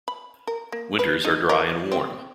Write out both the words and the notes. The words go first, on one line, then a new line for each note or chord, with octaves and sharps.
Winters are dry and warm.
B5
A#4
A#3
B4
D#4
A#4
C4